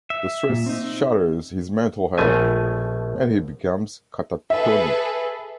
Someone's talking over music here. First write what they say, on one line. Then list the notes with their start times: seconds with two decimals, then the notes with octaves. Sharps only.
The stress shatters his mental health, and he becomes catatonic.
0.10 E5
0.49 A#2
0.66 C4 D#4
2.18 A#1 B2 F3 A3 G#5
4.50 G#4 A4 B4 E5